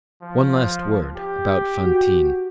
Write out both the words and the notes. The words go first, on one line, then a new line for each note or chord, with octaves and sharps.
One last word about Fantine.
F3
G4
F#4